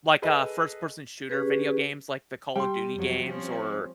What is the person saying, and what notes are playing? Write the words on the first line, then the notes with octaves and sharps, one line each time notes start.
like, uh, first-person shooter video games like the Call of Duty games or
G#4 A4 B4 D#5
C#4 G4 G#4 B4
G3 G5 C6
F2 F3 F#3
F3 C4 C#4